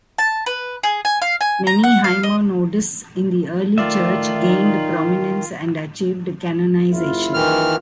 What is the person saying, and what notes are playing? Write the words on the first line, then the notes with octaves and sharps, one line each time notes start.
Many hymnodists in the early Church gained prominence and achieved canonisation.
A5
B4
G#4
G#5
F5
G#5
A#5
F#5
F5
D#5
D#3 A3 F4 D5 E5
D#4
F#1 E4 F4
D#3 E3 F6